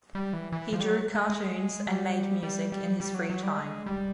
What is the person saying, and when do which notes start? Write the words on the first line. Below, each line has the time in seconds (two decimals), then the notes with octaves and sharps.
He drew cartoons and made music in his free time.
0.15 G3
0.33 E3
0.52 E3
0.73 F3
0.80 G3
0.86 F#3
1.15 G#3
1.30 G#3
1.87 G3
2.43 G3
2.72 G3
3.00 G3
3.14 F#3
3.30 F#3
3.43 G3
3.57 G#3
3.86 G3